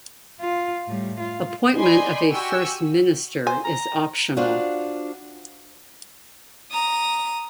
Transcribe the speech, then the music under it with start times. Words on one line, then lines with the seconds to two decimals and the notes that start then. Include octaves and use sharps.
Appointment of a First Minister is optional.
0.41 F4
0.88 A2 G3
1.20 F4
1.76 D5 D#5 G5 G#5 B5 C6
2.29 F#4 G4 G5 G#5 C#6 E6
3.47 C5 G#5
3.65 A#5
4.37 D4 F4 F#4 C5 F5
6.72 A#5 D#6